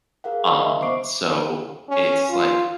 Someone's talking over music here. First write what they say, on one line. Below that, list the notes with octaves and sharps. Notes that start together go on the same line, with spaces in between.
Um, so it's like
G#4 A#4 F5 F#5
F5 B5
D#5 E5
B3 C5 C#6 D6 C7 D7
C#4
F4